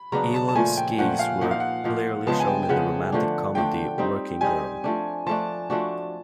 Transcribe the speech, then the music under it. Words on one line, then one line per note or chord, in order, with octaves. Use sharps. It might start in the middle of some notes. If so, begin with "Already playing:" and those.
Elan skis were clearly shown in the romantic comedy "Working Girl".
Already playing: B5
C#3 F#3 B3 D4 A#5
A5
A5
A#2 F3 A3 G#5
G5
A#2 F3 A3 F#5
F5
F3 A#3 D#4 F#5
F5
F#5
F3 A#3 D#4
C#3 F3 G#3 B3 A5
G#5
G5
G5
C#3 F3 G#3 B3 F#5
D3 F3 A3 D4
D3 F3 A3 D4 G5
G3 C4 D#4
G3 C4 D#4 G#5
F3 A3 D4
F3 A3 D4 A5
F3 A3 D4 F#4